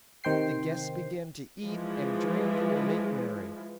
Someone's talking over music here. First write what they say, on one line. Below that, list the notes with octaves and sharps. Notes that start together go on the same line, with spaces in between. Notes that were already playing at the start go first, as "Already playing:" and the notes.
The guests began to eat and drink and make merry.
C3 D#3 C5 G5 C7
E3 F3 G#3